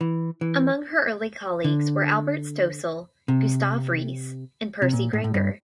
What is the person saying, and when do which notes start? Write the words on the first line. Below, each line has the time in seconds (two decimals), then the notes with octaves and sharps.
Among her early colleagues were Albert Stoessel, Gustave Reese, and Percy Grainger.
0.01 E3
0.41 E3
1.64 D3
3.28 C3
4.82 C3
4.93 A#2
5.13 A2
5.24 A2
5.34 G2